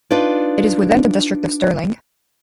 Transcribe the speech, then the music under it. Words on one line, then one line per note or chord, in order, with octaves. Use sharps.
It is within the district of Stirling.
D4 D#4 F4 B4 D5